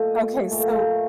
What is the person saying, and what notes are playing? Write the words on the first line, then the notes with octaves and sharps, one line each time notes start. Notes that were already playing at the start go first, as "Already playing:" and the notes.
Okay, so
Already playing: A#2 A3 D#5
A#2 A3